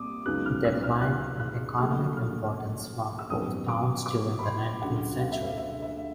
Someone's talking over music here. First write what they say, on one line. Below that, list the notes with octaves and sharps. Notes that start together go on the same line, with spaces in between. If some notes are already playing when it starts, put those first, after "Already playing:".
Decline in economic importance marked both towns during the nineteenth century.
Already playing: C2 A#2 A#3 D6 D#6
C#2 C#3 F#3 B3 D#4 F#6
F6
E6
F6
F#6
F#6
A#1 A#2 F#3 A3 F6
F6
E6
G#1 F#2 D#3 G3 B3 D#6
D6
D6
B5
C6
D2 C#3 F#3 F#5
F5
E5
F5
E5
E5